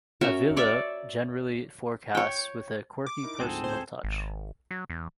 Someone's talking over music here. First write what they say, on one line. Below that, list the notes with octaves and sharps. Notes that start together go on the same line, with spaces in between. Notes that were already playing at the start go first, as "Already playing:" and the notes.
Avila generally forecasts with a quirky personal touch.
C#4 F#4 A#4 E5
C#5 D5 E5
C#5 G5
D6
D#4 E4 A#4
D2 G#2 F3 C4 G#4 A4
C5
G#1
F#3
E2